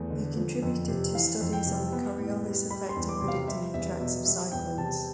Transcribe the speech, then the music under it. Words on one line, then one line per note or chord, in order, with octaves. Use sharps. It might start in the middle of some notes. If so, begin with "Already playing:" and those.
He contributed to studies on the Coriolis effect in predicting the tracks of cyclones.
Already playing: E2 A3
D3
F3
F2
C3
E3 F5
F2
G5
C3
B3
A2
G3
G3 B5
C6
E2
D6
C3
F5
G3 E5
E2 E5
B2 E5
G3 E5
E2 G5
C3 A5